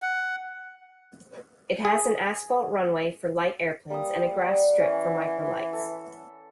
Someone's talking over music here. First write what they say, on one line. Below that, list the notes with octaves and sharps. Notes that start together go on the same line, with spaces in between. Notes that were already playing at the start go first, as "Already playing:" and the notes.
It has a asphalt runway for light airplanes and a grass strip for microlights.
F#5
G#4
G3 A#3 D#6
D5 F#5 B5
E3 C#4
A4